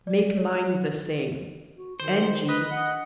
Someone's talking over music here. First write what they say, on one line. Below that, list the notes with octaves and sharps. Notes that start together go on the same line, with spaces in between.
Make mine the same. N.g.
D5
C#5
F#4
D#3 C5
B4 D#5
F#5